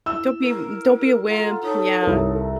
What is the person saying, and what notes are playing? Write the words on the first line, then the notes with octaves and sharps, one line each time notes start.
Don't be m don't be a wimp, yeah.
E4 E6
A#4
F4 A4 F#5 A#5
D#4 A4 C#5 D#6
C2 A#4